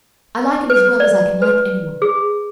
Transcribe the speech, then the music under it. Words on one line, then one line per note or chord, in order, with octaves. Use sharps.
I like him as well as I can like any one.
B4
D5
B4
G#4